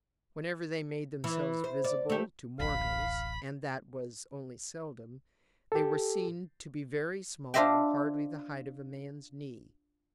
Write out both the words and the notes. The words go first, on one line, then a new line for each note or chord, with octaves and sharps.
Whenever they made themselves visible to mortals--and that was only seldom--they were seen to be very small, hardly the height of a man's knee.
E3
C5
D5
A3 G4
D1 A1 F5 B5
G4 A4
D4 F4 C5 D#5 E5 G5